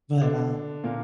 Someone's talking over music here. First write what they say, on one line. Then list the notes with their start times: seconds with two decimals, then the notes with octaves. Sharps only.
But, um
0.21 D3 D4
0.84 A#2 A#3